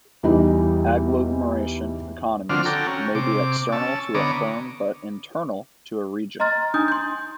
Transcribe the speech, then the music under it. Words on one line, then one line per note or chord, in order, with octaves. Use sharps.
Agglomeration economies may be external to a firm but internal to a region.
E2 E3 G3 D#4 E4
D3 F3 C4 D4 F#4 F6
F#4 A4 G5 A#5
C#4
C3 D6
C#4 A5 E6
D3 B3 C#5 D#5 A#5 D6
D#5 A#5 C6 F6 A6
D4 D#4 G#5 D#6 G6
C6 G6